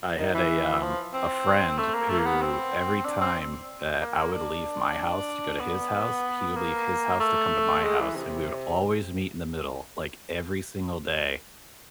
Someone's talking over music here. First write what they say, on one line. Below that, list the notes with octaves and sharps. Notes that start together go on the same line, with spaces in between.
I had a, um, a friend who every time that I would leave my house to go to his house, he would leave his house to come to my house, and we would always meet in the middle, like, every single day.
D#3
E3
F3
C4
A3
A#3
A3
A#3
B3
C4
D4
C4
A#3
A#3
D4
B3
A#3
A3
G#3
E3
C3